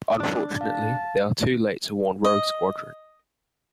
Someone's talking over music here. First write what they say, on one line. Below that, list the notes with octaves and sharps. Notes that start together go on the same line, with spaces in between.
Unfortunately, they are too late to warn Rogue Squadron.
D4
F5 A5
D#5